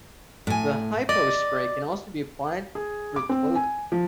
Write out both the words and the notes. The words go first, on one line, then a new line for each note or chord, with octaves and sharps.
The hypospray can also be applied through clothing.
A2 G#5
D5 D#5
G#4
D6
C4
G#5
F3